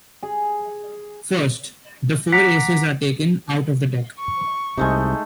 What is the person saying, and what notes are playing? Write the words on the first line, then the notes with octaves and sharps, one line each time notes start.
First, the four aces are taken out of the deck.
G#4
F#5 A#5 D6 B6
C#6
C2 C3 G#3 A3 D#4